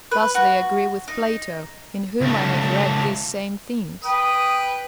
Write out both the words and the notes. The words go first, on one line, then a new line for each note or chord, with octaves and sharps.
Thus they agree with Plato, in whom I have read these same things.
B4
F#4
D#4
C#2 A3
B4 G5 D#6